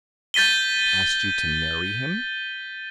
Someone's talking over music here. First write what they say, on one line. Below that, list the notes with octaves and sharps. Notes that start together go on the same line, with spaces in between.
"Asked you to marry him?"
G6 A6 B6 D#7 G7